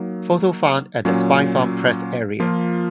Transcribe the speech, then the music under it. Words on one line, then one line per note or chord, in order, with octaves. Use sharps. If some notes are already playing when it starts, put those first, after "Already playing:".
Photo found at the Spinefarm press area.
Already playing: F#3 A#3 D#4
A#2 F#3 C#4
F3 A#3 F4